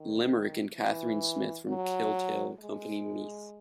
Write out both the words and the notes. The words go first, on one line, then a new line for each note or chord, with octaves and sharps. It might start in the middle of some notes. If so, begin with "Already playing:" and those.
Limerick, and Catherine Smith from Kiltale, Company Meath.
Already playing: D#3
E3
F#3
G#3